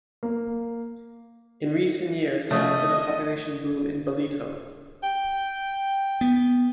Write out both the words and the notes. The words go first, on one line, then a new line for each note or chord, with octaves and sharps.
In recent years, there has been a population boom in Ballito.
A#3
C3 F3 A3 G4 D#5 D#6
G5
B3